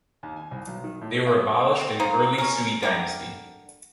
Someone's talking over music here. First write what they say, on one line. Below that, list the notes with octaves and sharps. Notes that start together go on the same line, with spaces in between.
They were abolished in early Sui dynasty.
D#2
G#5
C2
B1
D#3
A2
A4
E5
C4
A#3 D#4 C5
C#4 A#4
D3 G3 G4 A#4